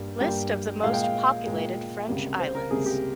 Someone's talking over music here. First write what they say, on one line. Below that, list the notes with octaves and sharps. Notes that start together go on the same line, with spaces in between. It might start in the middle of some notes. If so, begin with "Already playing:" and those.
List of the most populated French islands.
Already playing: G2 G3 A#3
G2 G3 A#3 G5
A#2 G#3 F5
G5
F5
A#2 G#3
C#2 C3 G3 A#3
C5
A#4
C#2 C3 G3 A#3 G#4
G4